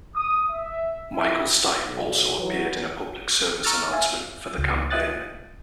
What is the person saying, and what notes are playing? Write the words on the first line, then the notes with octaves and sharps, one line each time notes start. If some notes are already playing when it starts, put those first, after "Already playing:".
Michael Stipe also appeared in a public service announcement for the campaign.
D#6
E5
E4
B1
E3 F#3
A#5 C#6 E6 F6 A6
E5 F5 G#5
C#2
F4 D#5 E5 D#6 F#6 A6